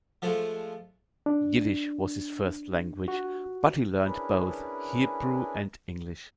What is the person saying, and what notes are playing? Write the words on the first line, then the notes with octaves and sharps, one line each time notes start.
Yiddish was his first language, but he learned both Hebrew and English.
F3 G#3 A3
D4
F#4
C#4 D4 E4 G#4 A#4 B4